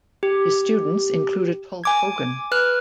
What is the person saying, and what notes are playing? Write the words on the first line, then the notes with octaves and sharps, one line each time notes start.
His students included Hulk Hogan.
G4
G#5 D6 G#6
B4 F6 F#6